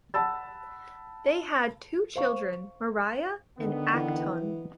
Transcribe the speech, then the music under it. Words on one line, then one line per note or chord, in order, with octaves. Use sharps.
They had two children, Mariah and Acton.
F#5 A5 B5 E6 A6
C5 F5 C#6
D3 D#3 B3
E3